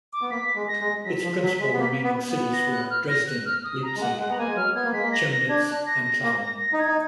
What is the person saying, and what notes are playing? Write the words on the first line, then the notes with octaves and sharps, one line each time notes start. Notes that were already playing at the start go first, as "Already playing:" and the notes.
Its principal remaining cities were Dresden, Leipzig, Chemnitz, and Plauen.
D6
B3
A#3 B6
G#3
A#6
G#3
F#3 B6
F3
F#3
G#3
B3
A#3
B3
B3
A#6
F#6
F6
A#6
F#6
F6
D#6
A#5
G#3
A#3 F#5
G#3 F#5
B3 A#5
A#3 G#5
G#3
F#3 F6
B3 G#6
A#3
G#3 B6
A#3
A#6
A#6
D4 G#6
F#6
A#6
A#6
A#3 A#6
A#6
A#6
D#4
G#6
D#4